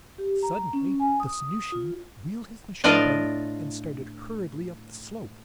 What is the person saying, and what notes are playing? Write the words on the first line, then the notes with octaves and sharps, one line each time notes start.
Suddenly the Sanusian wheeled his machine about and started hurriedly up the slope.
G4
A#5
C#4
G#5
D#6
F4
A2 D4 F4 D5 D#5 F5